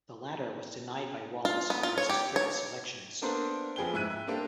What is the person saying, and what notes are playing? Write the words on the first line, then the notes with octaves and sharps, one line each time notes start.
The latter was denied by Wallace who was a strict selectionist.
F4
B3
F4
C#5
G4
C#5
A#3 B3 D4 A4 A#4 C5
F2 F3 G#4 B4 G5 G7
G#2 E4 E5 F#6 D#7
E5
G3 A#3 C4 D4 G4 A4